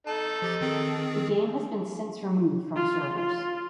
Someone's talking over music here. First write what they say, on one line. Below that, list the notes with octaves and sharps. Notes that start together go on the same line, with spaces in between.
The game has been since removed from servers.
D#4 A4 A5
F3 G4 A6
D#3 C4 G#4
F4
F4